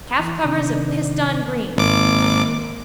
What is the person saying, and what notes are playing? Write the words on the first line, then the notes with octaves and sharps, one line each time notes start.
Calf covers of pissedon green.
E3
C3 D#3 D4
G#1 A#3 D6